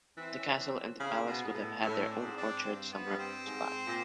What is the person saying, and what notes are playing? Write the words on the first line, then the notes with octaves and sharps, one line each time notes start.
The castle and the palace would have had their own orchard somewhere close by.
E3 C4
C#4
C4 D4
C#4
C#3 C4
B2 B3
G#2
A2 B3
A2 C#4
C#4
C4 D4
G#2
C4 D4
G2 C4
B3
G2
C4
G#2
A#2